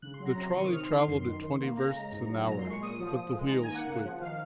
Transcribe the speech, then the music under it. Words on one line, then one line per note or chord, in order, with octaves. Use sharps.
The trolley travelled at twenty versts an hour, but the wheels squeaked.
C#3 F#6
C6
F#3
A#5
C3 A#5
C6
D#3 C#6
D#6
C3 F6
C6
D#3
C6
F#2 C6
D#3
D#3
A#3
C#3 A#5
G#3
G#2
F#3
A#2 A#5
C6
G#3
C#6
A#2 D#6
F3
F3
G#3
D#3 A#5
G#5
A#3 F#5
C#3
F3
D#3 F5